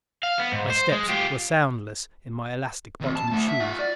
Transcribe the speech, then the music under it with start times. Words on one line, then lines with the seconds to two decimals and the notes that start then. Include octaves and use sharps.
My steps were soundless in my elastic-bottomed shoes.
0.23 F5
0.39 B3
0.52 G#2
0.70 C5
0.92 G#3
1.09 F4 G4
3.01 D#3 C4
3.16 A5
3.31 A3 F#5
3.47 E5
3.60 F4 F#5
3.79 D5